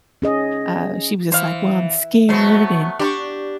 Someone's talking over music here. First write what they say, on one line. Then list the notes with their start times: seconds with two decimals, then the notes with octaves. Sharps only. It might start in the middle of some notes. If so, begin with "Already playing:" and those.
uh, she was just like, "Well, I'm scared, and
0.22 C#4 G#4 D#5
1.32 E3 C5 F5
2.29 F#3 A3 B3 C5
2.99 D4 G4 D5 C6 C#6